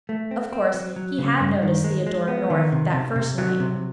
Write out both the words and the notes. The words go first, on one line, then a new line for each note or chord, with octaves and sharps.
Of course, he had noticed Theodora North that first night.
A3
C4
C4
F#3
F#3
C#3
G2
D#3
G#3
G#3
B3
D#3
C3
C3
C3
F#3
C3